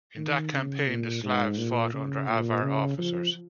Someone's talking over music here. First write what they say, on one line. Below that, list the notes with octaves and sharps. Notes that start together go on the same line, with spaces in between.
In that campaign the Slavs fought under Avar officers.
D#3
C#3
A#2
G#2
A#2
C#3
A#2
C#3
F3